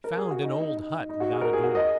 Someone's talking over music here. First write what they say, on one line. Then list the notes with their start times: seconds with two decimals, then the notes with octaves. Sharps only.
He found an old hut without a door.
0.04 A#4
0.17 G#4
0.30 F#4
0.44 D#4
0.60 D#4
0.77 D#4
1.09 D#4
1.20 F#4
1.31 G#4
1.41 A#4
1.53 G#4
1.63 F#4
1.75 D#5